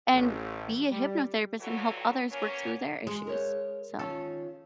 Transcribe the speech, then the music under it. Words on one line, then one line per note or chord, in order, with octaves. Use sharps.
and be a hypnotherapist and help others work through their issues," so
A1
G3
E3 F#3 G3 F4 F#4 A4
F#3 A#3 B3 C#4
G#3
A#4 C#5
D#3 C#4 F4 A4